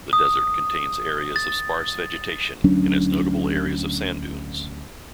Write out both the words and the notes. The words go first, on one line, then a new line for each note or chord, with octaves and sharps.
The desert contains areas of sparse vegetation and has notable areas of sand dunes.
D#6
A6
D2 F#3 C#4 D4